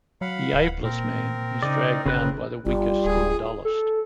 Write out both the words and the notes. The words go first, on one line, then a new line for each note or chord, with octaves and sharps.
The ablest man is dragged down by the weakest and dullest.
F#3 F5 F#5 B5
D1
A#2 C4 A#4
C#3 D#4 D5
G1 C#3 B4 F#6
G1 G3 F4
D1 G#4
A4